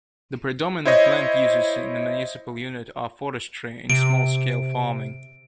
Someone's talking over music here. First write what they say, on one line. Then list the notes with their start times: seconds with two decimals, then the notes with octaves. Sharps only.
The predominant land uses in the municipal unit are forestry and small scale farming.
0.85 E4 C5 C#5 D#5
3.90 C3 D7